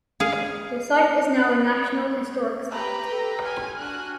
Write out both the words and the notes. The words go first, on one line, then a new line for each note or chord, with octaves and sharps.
The site is now a National Historic Site.
G#4 F5
G4 B4 G5 A#5 B5
A4
G#5 F6
D4 F#4 G#5 F#6